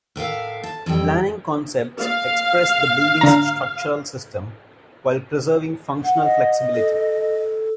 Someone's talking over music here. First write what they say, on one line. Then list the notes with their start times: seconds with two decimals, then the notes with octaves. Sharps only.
Planning concepts express the building's structural system, while preserving functional flexibility.
0.16 A2 A#4 E5 F5
0.64 A5
0.86 F2 E3 G3 G5
2.01 F5
3.21 D3 A#5
6.04 F#5
6.23 D#5
6.75 A4